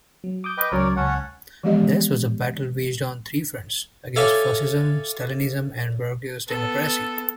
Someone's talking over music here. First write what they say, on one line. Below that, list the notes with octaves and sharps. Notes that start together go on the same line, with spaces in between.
Theirs was a battle waged on three fronts: against Fascism, Stalinism, and bourgeois democracy.
F#3
D6 D#6 G6
B4 D#5 G5
C#2 F#3 C#4 A#4 C#5 D5
C#2 C#4 C#5 F#5 A5
E3 F3 G#3 B3 G4 D#5
A4 C#5 D5 E5 F5 G#5
B3 A4